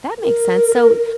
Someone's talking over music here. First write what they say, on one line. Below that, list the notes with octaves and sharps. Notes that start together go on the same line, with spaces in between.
That makes sense, so
A#4